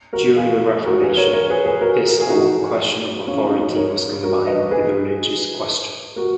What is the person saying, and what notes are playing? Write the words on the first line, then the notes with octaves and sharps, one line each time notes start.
During the Reformation, this old question of authority was combined with the religious question.
F#4 A#4
F4 G#4
F#4 A#4
G#4 B4
A#4 C#5
A#4 C#5
G#4 B4
G#4 B4
F#4 A#4
A#4
G#4
D#4 F#4
C#4 F4
C#4 F4
D#4 F#4
A#4 C#5
F#4 A#4
B4 D#5
G#4 B4
F#4 A#4